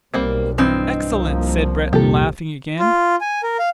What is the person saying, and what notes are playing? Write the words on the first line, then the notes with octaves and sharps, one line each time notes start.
"Excellent!" said Breton, laughing again.
B1 G3 A#3 C4
G2 E3 C4 D#5
C2 F3 A#3
C2 F2 A#2 G4 A4
F4
G#5
A#4
F5